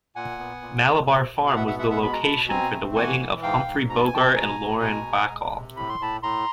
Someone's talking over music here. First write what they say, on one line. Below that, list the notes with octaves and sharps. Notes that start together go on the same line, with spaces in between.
Malabar Farm was the location for the wedding of Humphrey Bogart and Lauren Bacall.
A#2 F#5 G#5
B3
A#2
A#2
B2
B2
F5
B3 E5 F#5
E5 F#5
G#3 E5 F#5
E5 F#5
B2 B5
A#5
B2 A5 B5
C4 G#5 A#5
A3
E3 F#5 G#5
E3
G#2 F5 G5
G#2
B2 A#5
A5
G#5
B2 G5 A5
B2 G#5 A#5
B2
G#3
G#3
G#3
C3
A2 B5
C6
A2 A5 B5
A2 A#5 C6